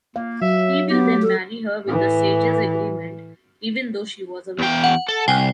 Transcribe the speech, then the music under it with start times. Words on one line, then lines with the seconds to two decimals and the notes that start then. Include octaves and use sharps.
He will then marry her with the Sages’ agreement, even though she was a widow.
0.16 A#3 F5
0.42 F#3 E5
0.90 B3 G4
1.22 A4
1.87 A2 E3
4.59 E2 G5
4.84 F#5
5.09 A4
5.28 C2 G5 G#5 C7